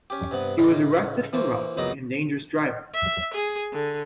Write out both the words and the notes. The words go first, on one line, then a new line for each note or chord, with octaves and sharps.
He was arrested for robbery and dangerous driving.
C#4 G4
G2 C3 B3
A2 C#3 D#4 F4
E3 A#3 C5 C#6
C#2 F#2 F#3 B3 D#4 A#5
E5
G#4
D3